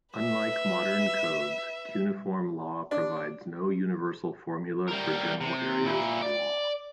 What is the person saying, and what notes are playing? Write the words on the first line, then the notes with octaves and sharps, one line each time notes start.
Unlike modern codes, Cuneiform law provides no universal formula for general areas of law.
B4 E5
D4
G3 A#4
C3
A#2 E4
D5